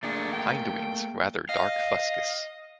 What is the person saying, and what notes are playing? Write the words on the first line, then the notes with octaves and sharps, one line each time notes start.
Hindwings rather dark fuscous.
A3 A#3 D4 G#4
G5
D#5 F5